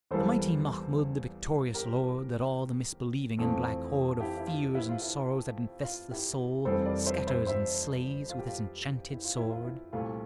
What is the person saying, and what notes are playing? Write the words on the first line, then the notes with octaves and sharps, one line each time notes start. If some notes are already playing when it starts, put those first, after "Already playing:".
The mighty Mahmud, the victorious Lord, That all the misbelieving and black Horde Of Fears and Sorrows that infest the Soul Scatters and slays with his enchanted Sword.
E2 E3 G3 A#3 A4 C5
G4 A#4
F2 E3 A3 C4
E4 G4
E4
F4
E4
F4
E4
F4
E4 G4
F1 F2 E3 G3 C4 A4 C5
A#4 D5
C5 E5
C5 E5
C5 E5
F4
G4
F4
E4
F4
E4
F4
E4
C2 A#2 A3 F4